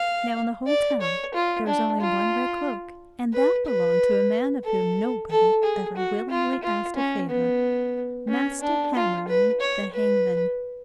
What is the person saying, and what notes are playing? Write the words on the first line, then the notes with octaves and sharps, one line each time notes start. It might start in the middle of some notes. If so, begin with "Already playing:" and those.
Now in the whole town there was only one red cloak, and that belonged to a man of whom nobody ever willingly asked a favour--Master Hammerling the hangman.
Already playing: F5
D5
C#5
F4
D4
F4
B4
B4
A4
A4
G#4
F#4
F4
F4
C#4
B3
C#4
D4
F4
B4
C#5
B4